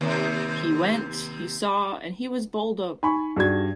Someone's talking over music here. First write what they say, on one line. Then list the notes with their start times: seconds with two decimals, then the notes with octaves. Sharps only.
He went, he saw and he was bowled over.
0.01 D#2 C3
3.03 D#4 G#5 B5 C#6
3.36 G2 D4 F#4 G#4 G#6